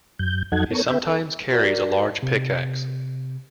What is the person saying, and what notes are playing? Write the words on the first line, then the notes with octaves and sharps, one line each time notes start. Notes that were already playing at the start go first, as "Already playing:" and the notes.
He sometimes carries a large pickax.
F#2 G6
F2 F#3 D#4 A4 F#5 G#6
B3 A4 A#4 C#5
B3 B4 E5 G5
A4
F#4 A#4 D5
C3